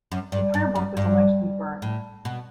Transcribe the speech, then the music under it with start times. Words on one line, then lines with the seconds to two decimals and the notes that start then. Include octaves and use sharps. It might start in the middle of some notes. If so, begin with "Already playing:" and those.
The prayer book was allegedly burned.
0.12 F#2
0.32 G2
0.54 G2
0.75 F#2
0.97 G2
1.82 A2
2.25 B2